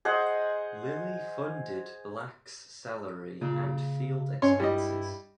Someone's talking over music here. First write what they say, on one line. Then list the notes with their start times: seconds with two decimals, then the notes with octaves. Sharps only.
Lilly funded Black's salary and field expenses.
0.05 G#4 C5 D#5 F#5
3.41 A#2 C#3
4.42 G2 C#4 C#5 C6
4.60 G3 E4 D#5